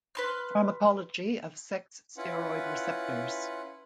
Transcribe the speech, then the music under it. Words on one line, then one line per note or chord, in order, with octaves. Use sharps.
Pharmacology of sex steroid receptors.
B4 C6 F6
C#4 E4 F4 B4 F#5